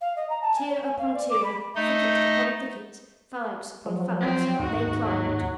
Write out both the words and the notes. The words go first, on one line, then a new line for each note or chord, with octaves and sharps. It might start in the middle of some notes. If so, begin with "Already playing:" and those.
Tier upon tier, thicket upon thicket, phalanx upon phalanx they climbed.
F5
D#5
A#5
A5
G#5
C#5
G#5
F5
D5
D6
B5
A3 D#4 D#5
F3 F#3
C4
D#2 G#2 D#4 F#4
F#3